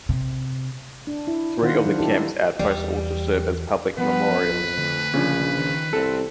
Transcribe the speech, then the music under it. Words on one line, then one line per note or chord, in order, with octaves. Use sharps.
Three of the camp's outposts also serve as public memorials.
C3
D4
E4
D#3 D4 E4 C5 F5 F#5
F#3 D4
C4 D#4 E4 G4 A4
E2 G3
F3 B3 B4
F2
D2
A#1 C#3 F3 D4
D#3
C2 C4 A4